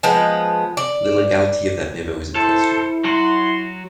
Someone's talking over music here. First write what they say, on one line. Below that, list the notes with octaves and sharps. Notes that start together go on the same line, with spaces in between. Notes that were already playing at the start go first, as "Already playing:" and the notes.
The legality of that memo is in question.
F3 G#3 B3 B4
D5
E4 A4 C5
F#3 F#4 C6